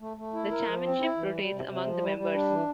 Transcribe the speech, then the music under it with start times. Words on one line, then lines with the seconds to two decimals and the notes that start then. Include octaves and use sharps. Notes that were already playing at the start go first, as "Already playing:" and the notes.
The chairmanship rotates among the members.
0.01 A3
0.17 A3
0.34 E4
0.51 A#4
0.67 F3
0.84 C4
1.00 E4
1.17 E3
1.34 G3
1.51 C3
1.67 C3
1.83 F3
2.01 G3
2.17 G3
2.33 D4
2.50 E3